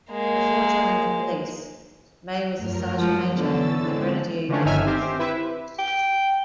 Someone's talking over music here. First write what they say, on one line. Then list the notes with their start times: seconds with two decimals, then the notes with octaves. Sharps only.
Before joining the police, May was a sergeant major in the Grenadier Guards.
0.11 G#3 A#3
2.59 F#2 F3 A3 A#4 F6
2.96 F3 F#3 G#3
3.36 D3 E3 B3 C#4 E6 A6
3.77 D3 G#3 C4
4.48 D3 D#3 F3 A3 C#4 D4
4.64 G1 D#3 D#4 E5 G#5 F6
4.85 C4 G4 C5
5.19 E4 B4 E5
5.79 G5